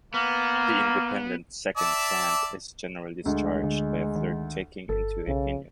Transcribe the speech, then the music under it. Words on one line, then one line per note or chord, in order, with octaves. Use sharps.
The independent seconds hand is generally discharged by a flirt taking into a pinion.
A#3 B3
D5 E5 A5
D2 G#3
D3
D#3
G1 A4
B1 C#3